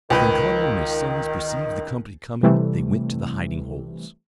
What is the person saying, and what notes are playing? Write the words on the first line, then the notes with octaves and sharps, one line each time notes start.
When Conall and his sons perceived the company coming they went to the hiding holes.
C#2 D#3 B4 G5
C3 E3 G3 A3